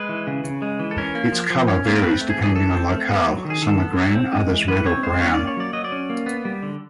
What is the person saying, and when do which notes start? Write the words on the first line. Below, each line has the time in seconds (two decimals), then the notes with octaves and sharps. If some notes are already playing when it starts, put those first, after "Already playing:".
Its color varies depending on locale: some are green, others red or brown.
Already playing: G#3 B4
0.09 E3
0.27 C#3
0.44 C#3
0.62 G#3
0.80 E3
0.91 A4
0.98 C#4 A#4
1.15 A#3
1.32 F3
1.50 F3
1.68 C#4
1.85 A#3
1.96 A#4
2.03 C4 B4
2.21 A3
2.30 G#4
2.38 E3
2.43 G#4
2.56 E3 A4
2.74 C4
2.92 A3
3.09 B3
3.27 F#3
3.45 D#3
3.50 G#4
3.62 D#3 A4
3.79 B3
3.98 F#3
4.15 C4
4.32 G#3
4.50 E3
4.68 E3 B4
4.86 C4 C#5
5.03 G#3 C5
5.21 C#4 C#5
5.34 D5
5.39 A#3
5.47 C#5
5.57 F#3 D5
5.73 F#3 D#5
5.84 D5
5.92 C#4
6.10 A#3
6.26 B3
6.45 G3
6.62 D3